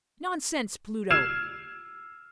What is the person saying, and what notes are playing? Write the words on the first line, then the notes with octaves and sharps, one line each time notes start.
Nonsense, Pluto!
E6 F6 G#6 C7 E7